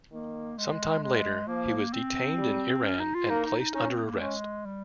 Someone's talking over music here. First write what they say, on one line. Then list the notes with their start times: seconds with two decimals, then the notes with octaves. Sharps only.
Sometime later, he was detained in Iran and placed under arrest.
0.12 D#3 A#3
0.58 G#3
1.03 G#3
1.47 F3 A#3
1.93 C4
2.38 G3
2.84 C#4
2.99 D#4
3.15 F4
3.29 A#3 D#4
3.45 D#4
3.60 D#4
3.74 C#4 D#4
3.90 C4
4.05 A#3
4.20 G#3 C#4
4.66 G3